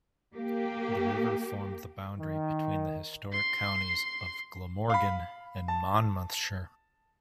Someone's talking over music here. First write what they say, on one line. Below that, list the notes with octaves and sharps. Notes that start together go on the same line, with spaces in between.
The river formed the boundary between the historic counties of Glamorgan and Monmouthshire.
A#3 G4
D#3
C6 C7
F5 B5
A5